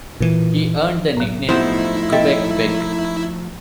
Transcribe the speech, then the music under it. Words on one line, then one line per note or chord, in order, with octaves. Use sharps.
He earned the nickname "Gubec Beg".
A#2 E3
A2 F#3
F3 A3 B3 D#4 E4 G4 C5 C6
A4 D#5 E5 G5 A6